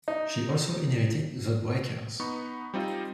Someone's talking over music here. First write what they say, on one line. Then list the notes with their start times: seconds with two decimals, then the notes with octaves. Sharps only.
She also inherited The Breakers.
0.08 D#4
2.20 B3 D#4 B5 C#6
2.74 G3 C4 D#4 F4 D#5